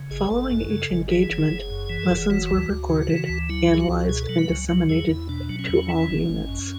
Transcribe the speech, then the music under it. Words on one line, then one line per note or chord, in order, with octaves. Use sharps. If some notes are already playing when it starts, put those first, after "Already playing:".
Following each engagement, lessons were recorded, analyzed and disseminated to all units.
Already playing: C#3
G#1 G#4
G#1 A4
F#2
C#3
G#1
E3 G#4
F#1
F#1
F#2
E3
A4
F#1
G#4
E3 F#4
D2
D2
C#3
E3
D2
F#3 E4
C#2 G#4
F#4
C#2
B2 G#4
A4
F#3
B4
C#2
F#3
E2 G#4
E2 E4
B2 D4
F#3
C#4
E2
E3
G#1
G#1
F#2